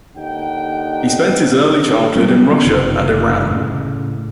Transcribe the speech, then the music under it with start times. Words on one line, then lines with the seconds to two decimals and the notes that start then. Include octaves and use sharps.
He spent his early childhood in Russia and Iran.
0.17 D#2 D3 D#4 F#5 G5
2.16 F#3 G3 B3 C#4
2.65 F#1 C3 D#3 F3
3.51 A2 C#3